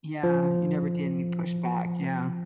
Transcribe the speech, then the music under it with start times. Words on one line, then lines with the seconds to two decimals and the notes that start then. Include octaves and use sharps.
Yeah. You never did and you pushed back, yeah.
0.23 F3